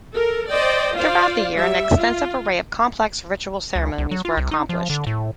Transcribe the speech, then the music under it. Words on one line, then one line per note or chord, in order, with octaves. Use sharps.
Throughout the year, an extensive array of complex ritual ceremonies were accomplished.
A4 A#4
C5 D5 D#5 G5
F4 C5 D5 F5
G3 E5
F4
C#2
C2
F#3
F4
C2
D#4
F3
D3
A2